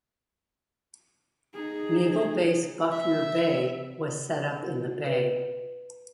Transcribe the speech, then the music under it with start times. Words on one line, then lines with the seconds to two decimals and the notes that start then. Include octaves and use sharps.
Naval Base Buckner Bay was set up in the bay.
1.54 D#4 G#4
2.91 E5
5.06 B4